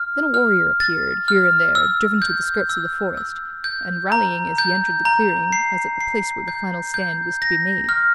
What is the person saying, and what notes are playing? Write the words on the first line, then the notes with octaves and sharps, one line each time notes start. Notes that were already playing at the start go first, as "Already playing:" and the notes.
Then a warrior appeared, here and there, driven to the skirts of the forest, and rallying as he entered the clearing, as at the place where the final stand was to be made.
Already playing: F6
F6
A6
F6
E6
G6
E6
E6
G6
A#5
G6
A#5
C7
C7
G6
G6
A#6
F6